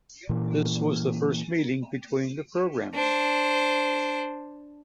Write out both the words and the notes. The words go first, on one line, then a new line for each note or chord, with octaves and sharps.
This was the first meeting between the programs.
A#2 E3 A#3
D4 C5